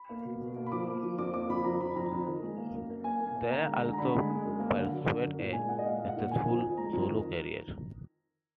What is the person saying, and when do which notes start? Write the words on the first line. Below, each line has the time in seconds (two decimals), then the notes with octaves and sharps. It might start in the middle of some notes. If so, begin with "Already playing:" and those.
Daye also pursued a successful solo career.
Already playing: B5
0.09 A#3
0.25 B2
0.41 B2
0.57 A#3
0.66 B5
0.72 F3 D6
0.88 A#3
1.03 F3
1.18 F2 D6
1.34 A#3 D6
1.49 F2 B5
1.64 F2 A#5
1.81 F2 B5
1.96 F2 A#5
2.12 F2
2.26 D#3
2.42 G#3
2.58 A#3
2.73 F#2
2.90 A#3
3.04 A#3 G#5
3.20 A#3
3.36 A#3
3.51 D3 A#5
3.67 G#3
3.75 A#5
3.83 D3
3.93 A#5
3.98 D3 B5
4.14 G#3
4.30 G#3
4.44 F#2
4.60 A#3
4.75 D3
4.92 F#3
5.07 D3
5.23 F#2
5.39 A#2
5.53 G#3 G#5
5.69 G#3 F#5
5.78 D#5
5.85 A#2 F5
5.99 G#3 F5
6.08 F#5
6.16 A#2
6.31 D#3 G#5
6.46 F2
6.62 F2
6.77 G#3 A#5
6.93 F2
7.09 D#3